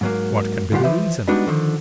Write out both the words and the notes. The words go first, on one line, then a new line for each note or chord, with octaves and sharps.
What can be the reason?
G#2 F#3 A#3
D2 G2 F4 G4 F#5
E3 F3 B4 C5 E5
G3 G#3 B3 D4 D#4 F#4
D3 D#3 F3